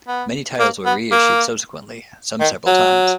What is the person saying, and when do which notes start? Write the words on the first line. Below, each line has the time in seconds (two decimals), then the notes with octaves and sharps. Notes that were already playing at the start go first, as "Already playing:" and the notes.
Many titles were reissued subsequently, some several times.
0.08 B3
0.60 A#3
0.86 B3
1.11 A#3
2.40 D#3
2.66 F#3